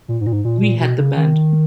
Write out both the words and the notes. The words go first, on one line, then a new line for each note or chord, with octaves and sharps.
We had the band.
A#2
G#2
A#2
G#2
A#2
B2
A#2
B2
C#3
D#3